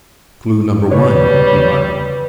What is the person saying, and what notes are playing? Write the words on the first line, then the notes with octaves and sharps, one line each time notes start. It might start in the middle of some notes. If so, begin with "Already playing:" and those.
"Clue number one!" he muttered.
C#3 G3 B4 C#5